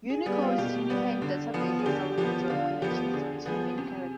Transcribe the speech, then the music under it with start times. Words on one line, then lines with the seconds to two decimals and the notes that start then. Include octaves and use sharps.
Unicode's Unihan database has already drawn connections between many characters.
0.10 G#4
0.26 G3 B3 G#4
0.42 F4
0.58 B2 G4
0.90 G3 B3
1.22 D3
1.54 F3 B3
1.79 G#4
1.86 D3 G4
2.18 F3 B3 G4
2.50 D3 F4
2.82 F3 B3 G4
3.13 D3 G#4
3.46 F3 B3 G#4
3.78 C3